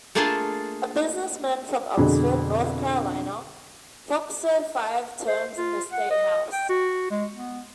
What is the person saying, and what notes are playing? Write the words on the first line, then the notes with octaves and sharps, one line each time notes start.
A businessman from Oxford, North Carolina, Fox served five terms in the state House.
A3 A#3 D4 F4 G#4 A4
F2 B2 D3 G#4
C5
F4
F#5
D#5
G5
F#4
G#3
B3